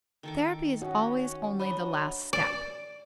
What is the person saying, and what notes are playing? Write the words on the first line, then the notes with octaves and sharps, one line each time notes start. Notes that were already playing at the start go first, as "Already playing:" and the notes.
Therapy is always only the last step.
D#3 A4 D6
C#4 F#4
F#3 D4 C#5 D#5 B5
D5